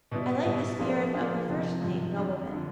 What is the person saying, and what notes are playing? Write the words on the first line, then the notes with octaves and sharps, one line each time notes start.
I like the spirit of the first-named nobleman.
B2 G3 B3 E4
B2 G3 B3 E4
F3 A#3 D4 F4 G#4
F3 A#3 D4 F4 G#4
F2 C3 F3
F2 C3 F3
F2 D3 F3
D3 F3